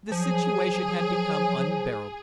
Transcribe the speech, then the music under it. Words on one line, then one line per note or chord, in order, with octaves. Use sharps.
The situation had become unbearable.
F3 F#3 G#4